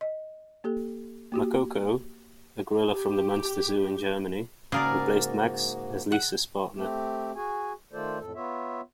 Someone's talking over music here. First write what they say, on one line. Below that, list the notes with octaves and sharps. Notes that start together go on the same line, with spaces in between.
Makoko, a gorilla from the Munster Zoo in Germany, replaced Max as Lisa's partner.
D#5
A#3 G4 A4
A#3 F#4 G4
G4
G#2 C#3 A#3 F#4 G#4 A#4 D5
F#5
A3 C4 G4
F#4 G#4 G#5
D#3 A3 F4 A4 C5 D5
F2 A2 A4
B3 F4 C#5 E5